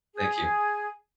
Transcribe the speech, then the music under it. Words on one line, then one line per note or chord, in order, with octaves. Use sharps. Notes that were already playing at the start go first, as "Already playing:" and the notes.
Thank you.
G#4